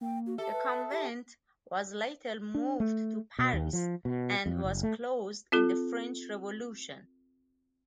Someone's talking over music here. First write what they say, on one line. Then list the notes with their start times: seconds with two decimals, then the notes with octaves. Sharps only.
The convent was later moved to Paris and was closed in the French Revolution.
0.01 A#3 G5
0.27 F#4
0.38 G4 A4 E5
0.52 B4
0.91 G4
2.55 D4
2.80 A3
3.39 B2
3.53 D#2
3.73 F3
4.05 B2
4.46 F2
4.64 F#1
4.83 A3
5.52 C4 F4 A4